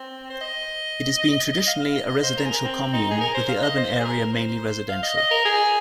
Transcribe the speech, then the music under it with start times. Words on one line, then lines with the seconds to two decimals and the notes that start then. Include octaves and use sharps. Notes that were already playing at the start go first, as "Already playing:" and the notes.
It has been traditionally a residential commune, with the urban area mainly residential.
Already playing: C4
0.30 C5
0.41 D#5
1.53 D#5
1.67 F5
1.82 F5
1.95 D#5
2.09 D#5
2.23 C5
2.37 A#4
2.45 G#4
2.51 A#4
2.65 C4
2.93 D#4
3.11 G#4
3.21 A#4
3.35 C5
3.49 F5
3.63 D#5
3.78 C5
4.00 G#4
4.05 A#4
4.33 C5
4.89 F5
5.03 D#5
5.18 D#5
5.31 A#4
5.45 G#4